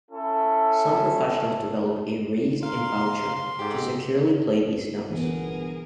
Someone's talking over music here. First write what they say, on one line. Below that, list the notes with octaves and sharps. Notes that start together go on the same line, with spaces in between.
Some professionals develop a "raised embouchure" to securely play these notes.
C#4 E4 A4
F5 A#5 C6
G#2 G4 A4
G1 E3 B3 G#4 A#4